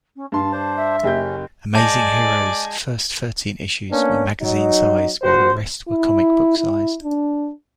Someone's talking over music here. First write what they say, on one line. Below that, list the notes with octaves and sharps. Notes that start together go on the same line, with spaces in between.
"Amazing Heroes"' first thirteen issues were magazine-sized, while the rest were comic book-sized.
C#4
G2 A5 C6
D4 C5
E5
F#1 C#4 G4 G6
G#3 D5 G#5 A5 G6 A#6
A#3 B3 C#4 D4
F#3 D#4
A#1 F#4 C5
E4
E4
D4